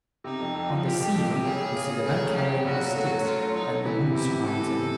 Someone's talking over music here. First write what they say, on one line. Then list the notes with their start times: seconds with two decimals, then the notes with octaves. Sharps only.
On the seal we see the man carrying his sticks, and the moon surrounds him.
0.24 C3 D#4
0.40 F2
0.55 F2
0.70 F3
0.85 F3 G4
1.00 F2
1.15 F2
1.30 C3
1.44 C#3 G#4
1.60 C#3
1.75 C#3
1.90 C#3
2.05 A3 G#4
2.19 F#3
2.35 C#3 G4
2.50 C#3
2.65 A#1 F#4
2.80 F#3
2.95 A3 F#4
3.10 F#3
3.25 A3 F4
3.40 F#3
3.55 F#3 D#4
3.70 A3
3.85 E3 E4
4.00 C3
4.15 C3 E4
4.30 E3
4.45 E3 A4
4.60 C3
4.75 C3